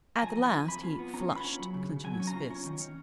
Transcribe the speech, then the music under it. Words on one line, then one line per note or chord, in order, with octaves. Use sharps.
At the last he flushed, clenching his fists.
G#5
F3 A#5
F2
G#5
F3
F2 B5
F4
B3
C#4 A#5
F4
B5
C#4
F#3
C#3
C#3
F#3 G#5
C#4
A#5
F4
C#4
D#3
C#4